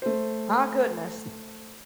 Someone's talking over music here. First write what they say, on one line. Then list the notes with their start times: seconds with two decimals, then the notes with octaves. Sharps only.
Ah, goodness.
0.02 A3 C5